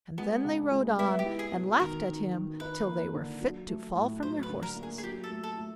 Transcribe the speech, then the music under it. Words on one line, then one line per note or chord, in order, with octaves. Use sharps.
And then they rode on, and laughed at him till they were fit to fall from their horses.
G#3 B3
C#3
G#3
B3 E4
G4
E4
G#4
B2
D#3 A#4
D#3
D#3
D#4 B4
A#3
D3
F#3
A3
A2
F#3 C5
B4
D3
A#4
A#3
G#4
G#4
F#3 G4
A4
A3
A4
A3